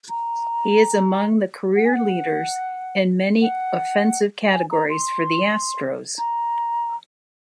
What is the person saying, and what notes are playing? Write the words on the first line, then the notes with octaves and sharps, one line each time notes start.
He is among the career leaders in many offensive categories for the Astros.
A#5
F#5
G#5
F#5
F#5
G#5
A#5
C6
A#5